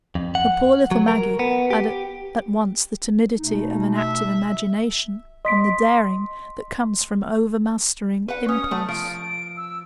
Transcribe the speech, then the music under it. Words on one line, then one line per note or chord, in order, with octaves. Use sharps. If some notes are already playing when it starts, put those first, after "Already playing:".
For poor little Maggie had at once the timidity of an active imagination and the daring that comes from overmastering impulse.
F2
F#5
F#3
A#4
B3
G4
B2 A3 D#4
E5
D#5 C6 B6 D7
B4 F#5
C#4 D#6
A3
F3 D7
E6